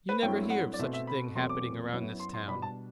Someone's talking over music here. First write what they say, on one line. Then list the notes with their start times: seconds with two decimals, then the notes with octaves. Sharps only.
You never hear of such a thing happening around this town.
0.09 B4
0.23 G2 F#3 A3 C4 E4 G5
0.50 F#5
0.74 D5
0.79 B2 A3 C4 E5
0.93 E5
1.07 B5
1.35 E2 B2 F#3 A3 C4 C6
1.49 D6
1.91 F#2 F#3 B3 E4
2.20 C6
2.34 C6
2.47 B2 G3 D4 B5
2.62 A5